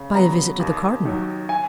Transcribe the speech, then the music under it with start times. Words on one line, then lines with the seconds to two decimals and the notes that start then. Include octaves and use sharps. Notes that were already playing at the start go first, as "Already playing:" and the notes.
"By a visit to the cardinal."
Already playing: C#3
0.15 F#3 B3 A#5
0.60 D#2
1.05 D#3 F#3
1.49 G#5